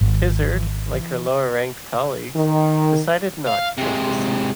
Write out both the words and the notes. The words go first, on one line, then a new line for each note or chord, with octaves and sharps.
Tizard, like her lower-ranked colleagues, decided not to take the seat.
G#1
D#3
F5
C3 G#3